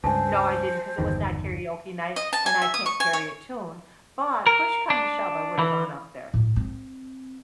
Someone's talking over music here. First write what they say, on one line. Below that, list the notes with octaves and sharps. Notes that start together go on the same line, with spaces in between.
No, I didn't 'cause it was not karaoke night, and I can't carry a tune, but push come to shove, I woulda gone up there.
C#2 G2 C5 G#5 A5
G1 E2 D#3
D#5
A5
G#5
E5
D#6
C#6
G#5
C#5
A#4
D4
E3
A2
C4